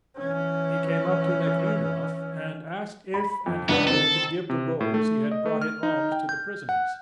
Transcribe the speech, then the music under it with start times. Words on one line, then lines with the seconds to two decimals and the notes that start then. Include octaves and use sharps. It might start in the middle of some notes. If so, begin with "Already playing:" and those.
He came up to Nekhludoff, and asked if and how he could give the rolls he had brought in alms to the prisoners.
0.17 E3 C#4
3.14 B5
3.46 F2
3.69 C#2 B3 D4 B4
3.87 D#3 C4 A4
4.50 C3
4.80 A2
4.94 A3
5.31 D#5
5.46 A3
5.61 F6
5.83 D#4
6.12 G5
6.29 G6
6.69 F#5